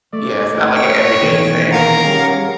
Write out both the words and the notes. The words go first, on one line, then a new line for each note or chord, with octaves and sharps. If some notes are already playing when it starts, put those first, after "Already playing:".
Yeah, it's not like an everyday thing,
A3 D5
C#5 G5
B2 D#3 E3
A#4 F5 F#5 A#5
G3 C#4 G#4